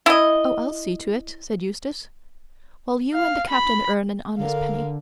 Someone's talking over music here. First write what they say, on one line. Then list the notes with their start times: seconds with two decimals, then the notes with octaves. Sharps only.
"Oh, I'll see to it," said Eustace, "while you and the Captain earn an honest penny."
0.06 E4 D#5
3.14 F5
3.50 B5
4.38 D3 A#4 F5